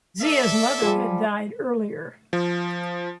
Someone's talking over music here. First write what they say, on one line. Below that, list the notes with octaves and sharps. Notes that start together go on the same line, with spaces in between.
Zia's mother had died earlier.
A4 D5 E5
F3 G3 G#4 G#5
F3